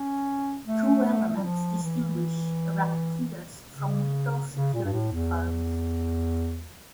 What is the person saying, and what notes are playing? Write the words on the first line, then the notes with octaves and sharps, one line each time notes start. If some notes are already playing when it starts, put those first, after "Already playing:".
Two elements distinguish racketeers from legal security firms.
Already playing: C#4
A3
A3
G3
F3
E3
C#3
C#3
A#2
G2
A2
E2